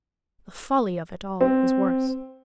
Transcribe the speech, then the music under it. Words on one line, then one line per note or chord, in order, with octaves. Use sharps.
The folly of it all was worse.
C4